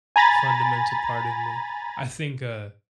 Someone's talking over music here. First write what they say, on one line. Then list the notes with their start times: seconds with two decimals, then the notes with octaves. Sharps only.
fundamental part of me. I think, uh,
0.16 G#5 A#5 B5 A6